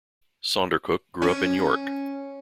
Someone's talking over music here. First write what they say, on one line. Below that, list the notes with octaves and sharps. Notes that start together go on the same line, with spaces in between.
Saundercook grew up in York.
C#4